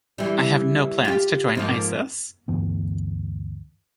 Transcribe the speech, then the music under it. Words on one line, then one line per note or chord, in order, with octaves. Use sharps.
I have no plans to join Isis.
E3 G3
F4 G4
G#2 F3 A#3
D2 G2 E3 B3